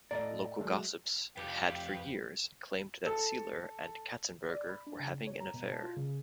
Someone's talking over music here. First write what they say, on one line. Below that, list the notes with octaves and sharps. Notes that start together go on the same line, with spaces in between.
Local gossips had for years claimed that Seiler and Katzenberger were having an affair.
A2 A4 D5 D#5 A#5
F#3 G#3 A3
F2 G4 B4 F5 G5
A4
D5
B5
D4
C#3
C#5
A#5
B2
A5
F4
C#3